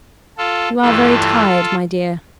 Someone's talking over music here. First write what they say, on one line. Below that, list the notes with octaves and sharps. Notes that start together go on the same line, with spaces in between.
You are very tired, my dear.'
F4 A4
G2 E3 A3 F4 A4